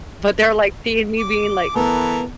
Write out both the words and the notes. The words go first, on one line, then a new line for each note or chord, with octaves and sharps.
But they're like seeing me being like
D6
E3 B3 A4 A#4